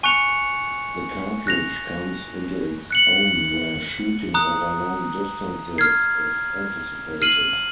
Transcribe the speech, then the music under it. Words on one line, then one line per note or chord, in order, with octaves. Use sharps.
The cartridge comes into its own where shooting over long distances is anticipated.
G#5 C#6 F#6 C#7 F7
F#6 A#6 F7
F#6 C#7 F#7
A#5 D#6 F#6
F6 G#6 C7
F6 C7 D#7 F#7